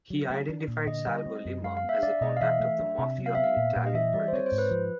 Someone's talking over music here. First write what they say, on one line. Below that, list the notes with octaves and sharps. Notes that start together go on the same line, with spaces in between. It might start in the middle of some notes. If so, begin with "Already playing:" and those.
He identified Salvo Lima as the contact of the Mafia in Italian politics.
F#3
A3
D4
A#2
D3 D#5
G3
C4
F#2
G#3 F5
F5
B3
E5
D4 D5
B2 D#5
F5
E3 E5
A3
D4
C3
F#3
F5
B3 E5
F5
A#2
A#2
D#5
E3 E5
G3 D5
C5
C4 C#5
C5
G#2
B4
F3